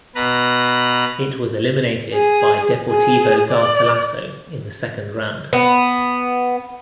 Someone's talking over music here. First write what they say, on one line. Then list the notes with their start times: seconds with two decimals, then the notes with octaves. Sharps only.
It was eliminated by Deportivo Garcilaso in the Second Round.
0.15 B2 B4 A#5
2.14 G#4
2.89 G#4
3.51 D5
5.53 B3